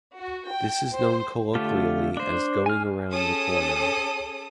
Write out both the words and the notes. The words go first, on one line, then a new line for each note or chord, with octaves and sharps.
This is known colloquially as "going around the corner".
F#4
G5
C5
D3 A3 F4 G4
D4 C5
G#5 F6
C#4 G#4 A4 D#6